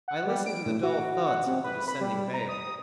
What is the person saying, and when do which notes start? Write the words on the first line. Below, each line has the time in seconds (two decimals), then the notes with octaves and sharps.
I listened to the dull thuds of the descending bale.
0.08 F#5
0.27 G3
0.46 D7
0.66 A2
0.83 F#4
1.25 F#5
1.46 C3
1.64 B4
1.88 B5
2.01 G3
2.34 A#5
2.49 D#6